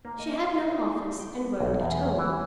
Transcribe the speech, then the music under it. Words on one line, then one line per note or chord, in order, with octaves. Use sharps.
She had no office, and worked at home.
A#3
D#5
D4
G5
B1
E2
E3